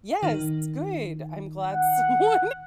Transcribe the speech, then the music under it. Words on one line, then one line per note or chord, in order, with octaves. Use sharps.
Yes, good, I'm glad someone
D#3
F#5